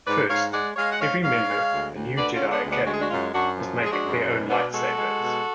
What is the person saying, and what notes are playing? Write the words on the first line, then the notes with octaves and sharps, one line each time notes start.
First, every member of the New Jedi Academy must make their own lightsabers.
G#2 B4 D5
G#2 C#5 F5
G#3 D5 F#5
G#3 C#5 F5
F#5
G#2 C#5 F5
G#2 C#5 F5
G#3
D2
D2
D3 B4 D5
C#4 F4
G#3
B3 D4
D2
B3 D4
G#3 F#4
G#4
D4 F#4
F#2 C#4 F4
F#2 D4 F#4
F3
G#3 G#4
D4 F#4
F#2
B2
B2 B3 D4
G#3 F#4 A4
G#3
B2